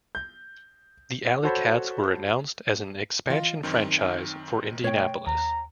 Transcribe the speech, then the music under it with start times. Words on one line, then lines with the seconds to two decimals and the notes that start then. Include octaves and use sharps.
The Alley Cats were announced as an expansion franchise for Indianapolis.
0.15 G6
1.43 F#4 A4 C5 C#5 A5 B5
3.30 E3 F4 D#5 F5
3.63 F#2 D#3 C4 D#4
4.84 B2 A3 C#5 G5
5.27 D#2 A#5